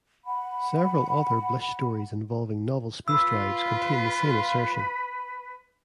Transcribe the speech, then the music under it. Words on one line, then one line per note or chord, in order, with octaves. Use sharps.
Several other Blish stories involving novel space drives contain the same assertion.
F#5 B5
F4 B4 E6